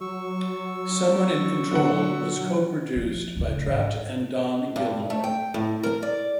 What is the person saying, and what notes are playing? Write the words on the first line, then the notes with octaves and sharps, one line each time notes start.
"Someone in Control" was co-produced by Trapt and Don Gilmore.
F#3 C#6 E6
D3 F#5
F3
D1 C#3
G#2
G2
A3
G5
A2
A#4
D5